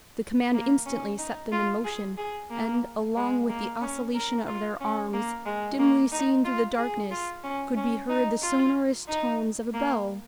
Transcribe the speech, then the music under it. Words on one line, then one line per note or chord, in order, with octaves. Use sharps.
The command instantly set them in motion; and, along with the oscillation of their arms--dimly seen through the darkness--could be heard the sonorous tones of a bell.
A#3
C#4
D#4
F4
G#4
G#4
A#3
G#3
A#3
C#4
A#4
F4
C#4
A#3
G#3
A#3
D#4
F4
G#4
F4
C#4
C#4
D#4
F4
D#4
A#3